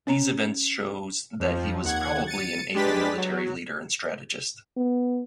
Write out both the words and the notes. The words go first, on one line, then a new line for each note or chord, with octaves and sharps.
These events shows that he was probably an able military leader and strategist.
C#4 C#5 A#5
F2 F3
D#2 F#5 G#6
A6 C#7 D#7
G#3 D4 G4 B4 A6 B6
F#3
B3